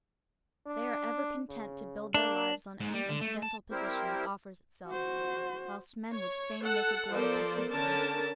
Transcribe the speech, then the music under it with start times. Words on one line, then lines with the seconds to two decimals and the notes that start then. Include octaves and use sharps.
They are ever content to build their lives on any incidental position that offers itself; whilst men would fain make a globe to suit them.
0.67 D4
1.49 C#3
2.14 A#3 D4
2.80 G#2
2.93 G3
3.09 D3
3.21 A3
3.43 A5
3.71 G3 C4 E4 G4 A#4 C5
4.87 F#4 C5
6.12 C#5
6.60 A4 F#5
7.11 F3 B3 A4 A#4 C5 D5
7.71 D3 C#4 A#4 A5